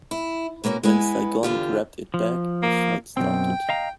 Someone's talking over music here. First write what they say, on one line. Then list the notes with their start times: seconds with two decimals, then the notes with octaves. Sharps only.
When Saigon grabbed it back, a fight started.
0.11 E4
0.64 B2 A#3 B3 C#4 F#4
0.83 G#3 B3 E4 G#5
1.43 E2 D3 F4 G4
2.14 F3
2.63 A#3
3.17 F#2 B2 C4 G5
3.69 D#5 F5 A#5